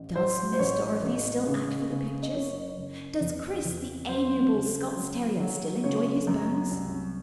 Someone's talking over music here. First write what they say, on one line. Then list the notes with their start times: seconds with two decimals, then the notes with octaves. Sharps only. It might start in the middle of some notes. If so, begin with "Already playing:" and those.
Does Miss Dorothy still act for the pictures? Does Chris, the amiable Scots terrier, still enjoy his bones?
Already playing: A1
0.15 F#3 C5
0.53 C5
0.59 A1 C#5
1.03 A1
1.46 C#3
1.90 C#3
2.23 D#5
2.34 F#1 C#5
2.77 F#1
3.21 E2
3.65 E2
4.09 F#3 C5
4.52 C#3
4.96 F#3
5.40 F#3
5.83 C#3 C#5
6.27 F#2
6.71 C2